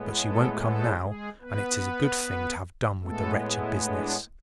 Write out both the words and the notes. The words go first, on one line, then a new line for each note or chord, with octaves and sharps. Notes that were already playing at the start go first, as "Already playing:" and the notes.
But she won't come now, and it is a good thing to have done with the wretched business.
Already playing: A2 G#3 B3
A3 A4
A3 A4
G#3 G#4
B3 B4
A2 G#3 A3 B3 A4
E4
D4